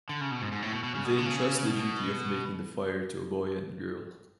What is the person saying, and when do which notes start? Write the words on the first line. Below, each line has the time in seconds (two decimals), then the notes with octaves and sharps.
They entrust the duty of making the fire to a boy and girl.
0.09 D3
0.21 C#3
0.31 B2
0.42 G#2
0.52 G#2
0.62 A2
0.73 B2
0.84 B2
0.95 C#3
1.05 B2
1.18 D3
1.26 C#3
1.67 B2